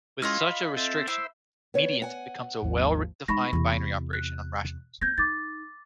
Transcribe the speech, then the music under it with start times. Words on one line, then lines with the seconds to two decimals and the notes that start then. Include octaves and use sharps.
With such a restriction, mediant becomes a well-defined binary operation on rationals.
0.22 G#3 C#4 E4 F4 D#5 F6
0.40 B5
0.76 C4 A4 E5
1.08 E4 C5 E5
1.74 B3 C#5
2.02 F#5 G#5
2.61 G#1 D#2 F3
3.28 G#3 D#4 B5 C#6 A#6
3.53 E2 C3
4.13 F#6
5.01 C4 G6 G#6 A#6
5.18 D#4 D6 A6